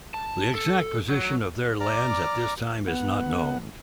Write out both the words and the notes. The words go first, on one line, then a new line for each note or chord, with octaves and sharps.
The exact position of their lands at this time is not known.
A5
A4
F#3
D5 A#5 D6 F6
B3 F#5